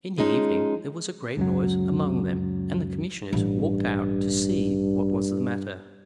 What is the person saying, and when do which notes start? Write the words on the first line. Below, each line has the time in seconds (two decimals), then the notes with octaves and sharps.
In the evening there was a great noise among them, and the commissioners walked out to see what was the matter.
0.18 F3 G#3 C#4 D#4
1.37 C#2 F#2 F#3
3.33 A1 G2